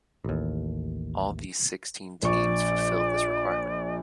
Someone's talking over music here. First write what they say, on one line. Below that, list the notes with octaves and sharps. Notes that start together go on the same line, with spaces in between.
All these sixteen teams fulfilled this requirement.
A1 D#2
A#1 D5 C#6